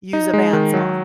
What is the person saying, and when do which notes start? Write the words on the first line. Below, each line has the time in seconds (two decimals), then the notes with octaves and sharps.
use a band saw
0.13 D#4
0.33 G#3
0.53 D#3
0.74 F#3